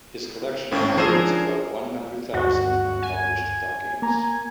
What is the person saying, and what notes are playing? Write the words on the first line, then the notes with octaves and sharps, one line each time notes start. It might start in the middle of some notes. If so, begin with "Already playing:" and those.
His collection includes about one hundred thousand unpublished documents.
G#1 A2 A3 C4 C#4
F3 D4 G#4 A#4 C5 E6
D2 G2 F#4 F#5
G#5
A#3 A#5